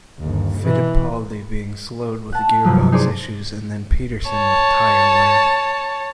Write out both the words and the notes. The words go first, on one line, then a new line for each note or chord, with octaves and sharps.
Fittipaldi being slowed with gearbox issues, and then Peterson with tyre wear.
G1 D#2
B2 E3
F#5 A5
G2 C3 F3 F#3
D#4 G#4 C5 D5
C#5 A5